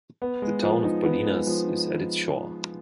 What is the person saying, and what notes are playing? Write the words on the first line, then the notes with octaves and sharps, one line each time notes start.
The town of Bolinas is at its shore.
B3
G#3
F3
D#4
B3
G#3
F3
D#4